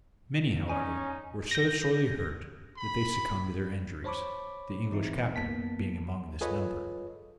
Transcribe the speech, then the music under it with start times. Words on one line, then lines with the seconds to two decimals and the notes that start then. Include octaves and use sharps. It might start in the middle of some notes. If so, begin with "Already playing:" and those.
Many, however, were so sorely hurt that they succumbed to their injuries, the English captain being among this number.
0.69 C#4 D#4 G#5
1.51 G6 A#6
2.77 B5
4.04 C5 C#5 A5 B5 C#6 D6
4.91 E3 C4 D#4 E4
5.36 F#2 A#3 B3 A5 B6
6.41 F4 G#4 A4 B4 C#5 D#5